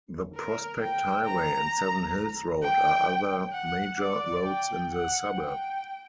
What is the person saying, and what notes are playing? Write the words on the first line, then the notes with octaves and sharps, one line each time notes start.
The Prospect Highway and Seven Hills Road are other major roads in the suburb.
A#4
G5
A#5
G5
F#5
D5
G5
F#5
G5